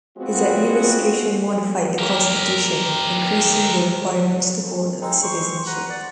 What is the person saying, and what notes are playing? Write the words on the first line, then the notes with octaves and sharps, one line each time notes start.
His administration modified the constitution, increasing the requirements to hold citizenship.
F3 G#3 B3 C4 F4 F#4
G4 A#4
G#3 C4 D#4
C5 C#6
B4 F#5 A#5
D5 F#5